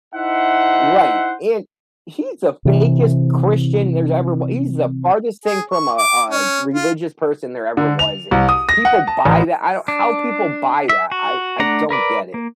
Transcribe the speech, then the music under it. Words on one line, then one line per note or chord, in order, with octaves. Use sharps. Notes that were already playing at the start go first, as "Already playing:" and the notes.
Right, and he's the fakest Christian there's ever wa he's the farthest thing from a a religious person there ever was, and people buy that, I don't How people buy that, I I don't get it.
D#4 E4 C5 E5 F#5
C3 E3
G#4
C#6
D6
C#4
F4
D3
F7
C2
D#6
A#6
F#5
A5
A1
D4
E5
F#4
A3 D4 F#5 A#5
A#4 B4 D5
A#3